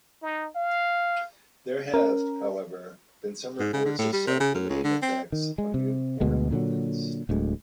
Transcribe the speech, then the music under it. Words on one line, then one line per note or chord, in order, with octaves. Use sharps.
There have, however, been some reports of self-limiting effects on newborn infants.
D#4
F5
C#4 A#4
G#2
C#3
D3
A2
G3
C3
C#3
F#2
C#2
D3
C4
D#3
G#3
C3
D2 B2 G#3
A#2 D3 D#3 F#3
D1 D2 G#3